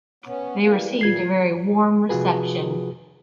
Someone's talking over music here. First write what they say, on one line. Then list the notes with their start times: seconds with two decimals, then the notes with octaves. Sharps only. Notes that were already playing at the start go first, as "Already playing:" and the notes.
They received a very warm reception.
0.24 B3 C#4
0.60 E3 G3 A#3
1.01 A#2 E3 F4 G#6 C7
2.09 C3 F3 F4 F#4 G#4 B4